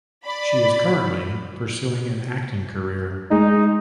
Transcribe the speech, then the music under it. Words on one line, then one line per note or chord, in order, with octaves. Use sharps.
She is currently pursuing an acting career.
D5 B5
G#3 D#4